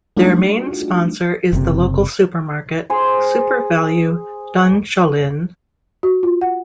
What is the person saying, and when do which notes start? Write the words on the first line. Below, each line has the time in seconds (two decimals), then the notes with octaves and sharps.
Their main sponsor is the local supermarket, SuperValu Dunshaughlin.
0.17 G3 A3 D4 D#4 F4 F#4
1.53 F#1 C3
2.90 G#4 C5 G#5
6.03 F#4
6.23 F4
6.41 F#5